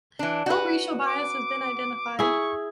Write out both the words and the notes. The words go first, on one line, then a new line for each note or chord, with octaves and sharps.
No racial bias has been identified.
E3 D4
F#4 B4
D6
E4 G#4 C#6